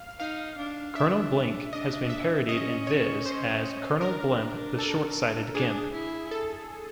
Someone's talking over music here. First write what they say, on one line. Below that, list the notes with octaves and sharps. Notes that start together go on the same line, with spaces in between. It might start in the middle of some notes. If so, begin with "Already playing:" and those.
Colonel Blink has been parodied in Viz as "Colonel Blimp the short-sighted gimp".
Already playing: F5
D#4 F5
D4
D4 E5
D4 D#5
E5
C#4 D#5
C#5
C5
D4 A#4
A4
D4 G#4
E4
A4